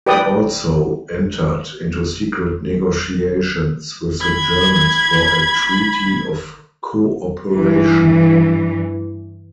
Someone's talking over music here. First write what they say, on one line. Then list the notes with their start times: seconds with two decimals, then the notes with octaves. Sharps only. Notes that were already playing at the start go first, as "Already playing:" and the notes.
He also entered into secret negotiations with the Germans for a treaty of cooperation.
0.07 G4 B4 D5 G5 D#6
4.21 B5 G#6
7.51 G2 E3